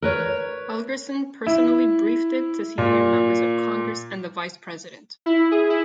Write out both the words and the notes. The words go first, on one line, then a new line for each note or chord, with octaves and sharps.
Helgerson personally briefed it to senior members of Congress and the vice president.
A#4 B4 C#5
E4
A#2
E4
G#4
E4